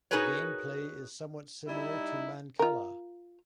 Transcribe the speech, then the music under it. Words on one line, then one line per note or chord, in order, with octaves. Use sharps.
The gameplay is somewhat similar to mancala.
D#4 F#4 G#4 A#4 B4 C#5
G3 D#4 E4
F4 A#4